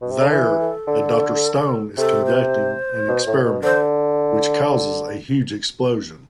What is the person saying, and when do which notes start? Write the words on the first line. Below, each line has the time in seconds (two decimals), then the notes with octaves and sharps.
There, a Doctor Stone is conducting an experiment, which causes a huge explosion.
0.01 B2
0.11 C3
0.22 D3
0.31 E3 B4
0.59 A4
0.87 D3
1.98 C3 A4
2.25 C5
3.08 B2
3.27 A2
3.45 B2
3.63 D3 C5